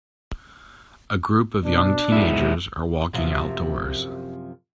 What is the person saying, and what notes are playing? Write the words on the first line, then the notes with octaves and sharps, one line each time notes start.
A group of young teenagers are walking outdoors.
B2 D4
B1 G#3 E4
F#2 C3 F3